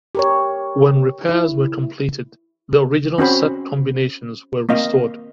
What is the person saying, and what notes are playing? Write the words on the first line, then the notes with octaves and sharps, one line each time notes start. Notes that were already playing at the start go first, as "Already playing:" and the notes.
When repairs were completed the original set combinations were restored.
G4 A#4 C#5
E4
C4 C#4 F#4 C5 B5
A#3 C4 D#5 F5